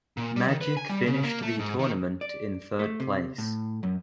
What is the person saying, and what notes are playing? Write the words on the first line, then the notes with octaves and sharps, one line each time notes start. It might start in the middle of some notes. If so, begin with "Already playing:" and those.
Magic finished the tournament in third place.
A#2
G3
D#3
B4
G#5
G3
C#3
A#3
A3
G#2
D#3
D5
A3
C3
A2
F#2